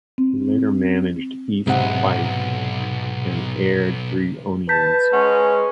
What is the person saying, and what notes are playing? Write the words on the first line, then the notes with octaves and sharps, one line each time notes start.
He later managed East Fife and Airdrieonians.
C4
B1 G#2 C3 F#5
B4 A5 G6 B6
G#3 C#4 F#5